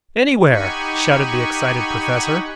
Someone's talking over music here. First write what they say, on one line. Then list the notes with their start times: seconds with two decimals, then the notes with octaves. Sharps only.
"Anywhere!" shouted the excited Professor.
0.47 D#4 G4 F#5 G#5 B5 C#6